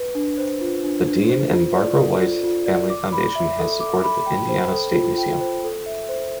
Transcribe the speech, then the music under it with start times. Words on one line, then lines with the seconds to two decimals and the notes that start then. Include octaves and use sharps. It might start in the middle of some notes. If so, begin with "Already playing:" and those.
The Dean and Barbara White Family Foundation has supported the Indiana State Museum.
Already playing: B4
0.15 D4
0.38 C5
0.61 F4
0.84 D4
1.07 D4
1.30 C5
1.52 F4
1.75 D5
1.98 A4
2.20 F4
2.44 F4
2.66 D5
2.90 D6
3.12 B5
3.35 E5
3.59 A4
3.80 D6
4.04 B5
4.26 G5
4.49 C5
4.72 A4
4.96 F4
5.18 G5
5.41 C5
5.64 A4
5.86 E5
6.09 C5